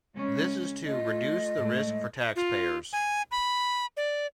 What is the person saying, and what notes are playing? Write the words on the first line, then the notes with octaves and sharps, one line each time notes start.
This is "to reduce the risk for taxpayers".
C#3 G#3 C#4
A3 F4 D#5
A2 G#3 A3
F4
G#5
B5
D5